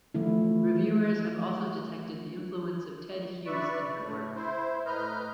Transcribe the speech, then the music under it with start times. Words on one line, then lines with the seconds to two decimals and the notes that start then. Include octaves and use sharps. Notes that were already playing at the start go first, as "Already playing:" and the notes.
Reviewers have also detected the influence of Ted Hughes in her work.
0.14 E3 F3 A3 E4
3.46 B4 D5 E5 C#6
3.98 A2 A3
4.36 E4 C5
4.86 A2 B4 D#5 A#5 F6 G6